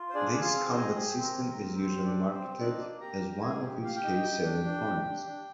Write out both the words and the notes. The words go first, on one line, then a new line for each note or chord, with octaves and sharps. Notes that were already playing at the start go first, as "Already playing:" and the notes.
This combat system is usually marketed as one of its key selling points.
Already playing: F4
C5
D4 G#4 D5
G#4
F4 F5
C4
D#4 D#5
G#4
G4
C4
A#4
G4
A#4
C4
G4 C5
C4
D4 D5
G4
C5
C4
D4 D#4 D5
A#3
G4 A#4 A#5
G4
A#3 G#4 G#5
G4
G4 F5
G4 G5
D#4
G4
D4
D4
G4
D4
D4